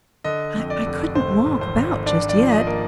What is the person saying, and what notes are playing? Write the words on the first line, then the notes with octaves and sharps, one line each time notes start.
I--I couldn't walk about just yet.
D3 D#5
F2
D5
F1
G#1 C5
G#1
C5
G#1
D4 D5
D5
F3
D#5
A#3